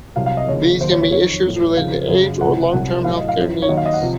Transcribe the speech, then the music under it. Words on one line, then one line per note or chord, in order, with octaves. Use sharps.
These can be issues relating to age or long-term health-care needs.
C2 C3 F#3 F5
F5
D#5
D#2 C#3 F3 C#5
D#2 D#3 F#3 C5
C#5
C#5
F2 D#3 F#3 C#5
A2 F#3
F2 C#3 F3 F5
F#2 C#3 F#3
C#2 C3 F3 F#5
C2 C3 F#3 F#5
A2 F#3 F5
D#5
F5
F#2 F3
C#5
D#2 D#3 F#3 D#5
F5
D#5
F#5
C3 F3